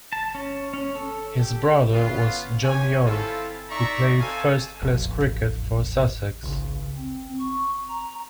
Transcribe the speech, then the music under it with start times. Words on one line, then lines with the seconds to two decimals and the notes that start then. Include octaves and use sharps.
His brother was John Young, who played first-class cricket for Sussex.
0.13 A5
0.35 C#4
0.73 C#4
0.95 A4
1.40 G4
1.93 B3 C#4 F4
2.63 G4 C#5 G#5
3.06 C4 E4 F4 A4
3.70 D#4 D5 E5 A#5 C#6
4.21 C4 A4 F5 G#5
4.81 E1 A1 F2
6.43 G#1 C#2 C#3
6.97 C4
7.39 C#6
7.89 A#5